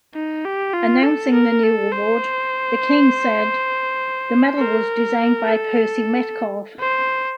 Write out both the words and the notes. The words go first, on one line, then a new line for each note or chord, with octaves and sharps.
Announcing the new award, the King said: The medal was designed by Percy Metcalfe.
D#4
G4
F4
A4
A#4
A4
C5
A#4
A4
C5